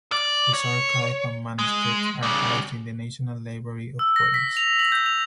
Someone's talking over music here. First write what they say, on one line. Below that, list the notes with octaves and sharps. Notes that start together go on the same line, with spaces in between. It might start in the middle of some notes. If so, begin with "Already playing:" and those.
His archive and manuscripts are housed in the National Library of Wales.
D5
C#5
G#3
C#3 G3
E6
A#6
B6
F7
F#7
G6
F7